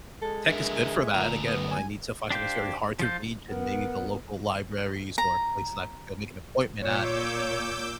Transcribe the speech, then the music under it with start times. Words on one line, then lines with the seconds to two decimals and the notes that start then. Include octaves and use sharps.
tech is good for that, again, when I need to find something that's very hard to reach and maybe the local libraries or places I have to go make an appointment at,
0.22 G#3 A4
0.49 D3 A#3 E5
1.14 D2 A#2 A#5
1.46 B3
1.71 G#5
2.30 D4 G4 C5 F5 G6
2.99 F3 F4 G6
3.50 B3 A#4 F#5
5.18 A#5
6.81 A#2 C#5 D6 E6 G6